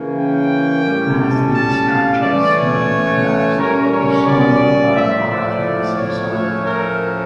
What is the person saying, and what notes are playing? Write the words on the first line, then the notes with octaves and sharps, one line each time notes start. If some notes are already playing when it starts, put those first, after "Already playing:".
As these structures slowly collapsed, the soil above gradually subsided.
Already playing: C#3 E3 A#3 C#4
G5
A2 G3 C#4
A5
A5
F5
E3 A3 C#4 D5
C#5
A#2 G3 C#4 A#4
C#5
D5
A2 F3 A3 E5
D5
C#5
A2 F3 A3 C#4
A#4